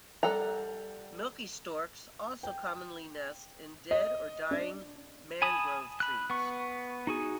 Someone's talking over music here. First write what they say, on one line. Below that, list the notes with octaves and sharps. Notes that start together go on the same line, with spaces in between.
Milky storks also commonly nest in dead or dying mangrove trees.
G3 A4 F#5 A#5
G5
D#5
D4
G#5 A5 B5 D#6
B5 F#6
B3 C#6
D#4 F#4 G#4